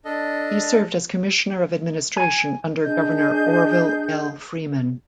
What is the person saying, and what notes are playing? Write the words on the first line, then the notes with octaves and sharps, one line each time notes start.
He served as commissioner of administration under Governor Orville L. Freeman.
D4 A4 D#5
G#5
D4 G#4 D#5 G6